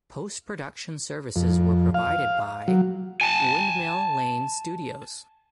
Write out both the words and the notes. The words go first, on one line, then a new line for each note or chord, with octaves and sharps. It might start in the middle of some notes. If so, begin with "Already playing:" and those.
Postproduction services were provided by Windmill Lane Studios.
F2
F5
F#3
G#5 A5